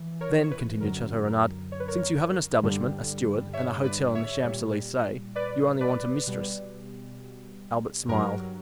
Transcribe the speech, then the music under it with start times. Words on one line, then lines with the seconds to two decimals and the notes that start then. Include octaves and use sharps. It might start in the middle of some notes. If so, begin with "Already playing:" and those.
"Then," continued Chateau-Renaud, "since you have an establishment, a steward, and a hotel in the Champs Elysees, you only want a mistress." Albert smiled.
Already playing: E3
0.21 A#4 C#5
0.43 C#5
0.51 B4
0.81 F#2 D3 F#3 A#4
1.27 A#4
1.72 C#5
1.80 B4
1.88 A#4 C#5
2.63 G2 D3 G3
3.53 C#5 E5
3.84 B4 D5
4.15 C#5 E5
4.45 A#2 G3
5.35 B4 D5
5.81 B4 D5
6.27 B2 G3
8.08 G2 F#3 A#4